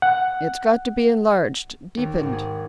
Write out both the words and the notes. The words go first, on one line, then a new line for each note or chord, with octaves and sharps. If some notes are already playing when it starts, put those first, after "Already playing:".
It's got to be enlarged, deepened.
F#5
D#2
G#1
G#4